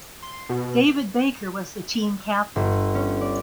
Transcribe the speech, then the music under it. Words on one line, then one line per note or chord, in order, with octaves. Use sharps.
David Baker was the team captain.
C6
B2
G1
C#4
D5